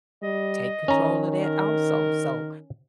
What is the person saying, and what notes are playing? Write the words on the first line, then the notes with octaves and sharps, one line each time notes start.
take control of that also, so
G3 D#5
D#3 C#4 A#5
A#4